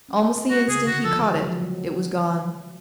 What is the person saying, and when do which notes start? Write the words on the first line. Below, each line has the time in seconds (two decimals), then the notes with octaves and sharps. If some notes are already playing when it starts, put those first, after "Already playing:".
Almost the instant he caught it it was gone.
0.09 C#4
0.22 B3
0.36 A3
0.50 G#3 F#4
0.68 C#3 G#4
0.86 D3 F#4
1.04 F3 A4
1.22 G#3
1.35 F#3
1.48 F3
1.62 F#3